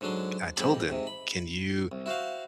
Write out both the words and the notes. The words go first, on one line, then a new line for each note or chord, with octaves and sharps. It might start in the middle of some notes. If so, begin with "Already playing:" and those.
I told them, "Can you"
G#2 D3 F#3 D4 C6
F2 G#2 C4 G4 B5
G#2 C3
B5
C2
E4 F#4 C5 F5